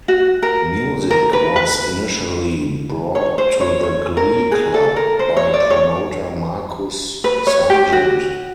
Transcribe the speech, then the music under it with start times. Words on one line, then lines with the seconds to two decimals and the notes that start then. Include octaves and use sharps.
Music was initially brought to the Glee Club by promoter Markus Sargeant.
0.08 F#4
0.42 A#4
1.11 A#4
1.33 B4
1.56 B4
3.15 C#5
3.38 C5
3.61 C#5
3.83 C#5
4.17 A#4
4.51 G#4
4.74 A4
4.96 A#4
5.19 C5
5.37 C#5
5.54 D5
5.70 C#5
7.24 B4
7.47 C#5
7.70 G4
7.93 F#4